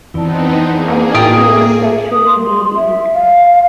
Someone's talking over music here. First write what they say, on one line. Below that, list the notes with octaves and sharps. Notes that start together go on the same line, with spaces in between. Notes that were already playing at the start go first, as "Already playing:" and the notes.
I think he was sexually deviant.
F2 E3 B3 C4 D#4 E4 D5 A5
A#3 G#4
A2 F4 G5 D#6
D#6
C6
E5
F5